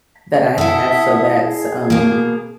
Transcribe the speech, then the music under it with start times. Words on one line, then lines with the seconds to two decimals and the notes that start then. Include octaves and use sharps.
that I have, so that's, um
0.58 E4 A4 E5 F#5 D#6
1.42 G#4
1.90 B2 A#3